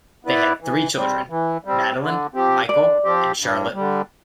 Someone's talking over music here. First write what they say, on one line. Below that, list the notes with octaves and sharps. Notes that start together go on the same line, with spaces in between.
They had three children: Madelin, Michael, and Charlotte.
B3 E4 B4 D5
E3
G3 C4
E3
G3 C4
D3
F3 C4 G4
D3 D5
F3 C4 G4
G2
D3 G3